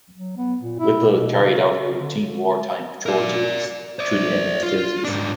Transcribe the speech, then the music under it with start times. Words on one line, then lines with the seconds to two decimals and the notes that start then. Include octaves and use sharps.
"Whipple" carried out her routine wartime patrol duties through the end of hostilities.
0.16 F#3
0.37 B3
0.61 A#2
0.79 E4
1.09 B2
1.40 C#3
1.95 D3
3.06 A#4 D5
3.99 C5 D5
4.63 F4
5.04 G#2 D4